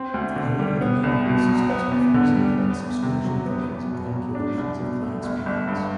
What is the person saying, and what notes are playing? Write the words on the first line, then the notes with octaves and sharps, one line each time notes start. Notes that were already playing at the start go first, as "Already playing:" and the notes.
However the manual systems often resulted in substantial delays in calculations of clients' payouts.
Already playing: C4
D2
D3
G3
B3
C2
B2
F#3
B3
E2
D3
G3
B3
E2
C3
F#3
B3
E2
B2
F#3
D4
C2
B2
A3
G1
G1
G2